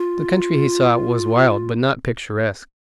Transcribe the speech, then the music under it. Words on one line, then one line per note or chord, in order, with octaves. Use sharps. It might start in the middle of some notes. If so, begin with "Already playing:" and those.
The country he saw was wild but not picturesque.
Already playing: F4